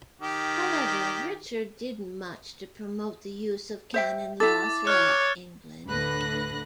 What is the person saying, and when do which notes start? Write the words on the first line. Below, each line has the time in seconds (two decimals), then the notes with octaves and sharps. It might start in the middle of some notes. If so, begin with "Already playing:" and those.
However, Richard did much to promote the use of canon law throughout England.
0.22 D#3 G4
3.94 C5 E5 G5
4.40 E4 A4 D6 A6
4.87 C#5 F6 F#6
5.86 D2 A2 D3 B4 F#6 A#6